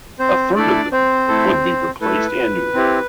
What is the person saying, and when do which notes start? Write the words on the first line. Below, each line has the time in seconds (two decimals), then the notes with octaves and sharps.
A third of them would be replaced annually.
0.19 C4 C5
0.56 A3 D4 E4 A4 D5
0.92 C4 C5
1.28 A3 E4 A4
2.01 A3 E4 A4 B4
2.74 C4 E4 G4